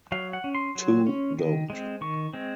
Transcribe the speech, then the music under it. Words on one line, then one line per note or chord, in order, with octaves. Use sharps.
Two don’t.
F#3 F5
F#5
C#4
C6
F#3
C#4
D#3
G#3 C4
D#3 C#6
G#3 C4